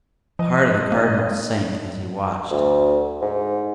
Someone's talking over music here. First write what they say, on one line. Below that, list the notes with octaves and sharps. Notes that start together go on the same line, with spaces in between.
The heart of the Cardinal sank as he watched.
F3 D#5
A#3
D2
G#2